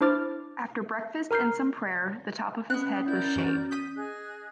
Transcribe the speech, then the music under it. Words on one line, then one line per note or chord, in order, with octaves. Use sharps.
After breakfast and some prayer, the top of his head was shaved.
D4 E4 C5 D6 F6 A6
A#4 A#5 F6 G6 C7
B3 C#4 F#6
E4 A#4 D5 G6
F#2 E3 F#4
D#6 G6 B6 D#7
G#4 D#5 F#6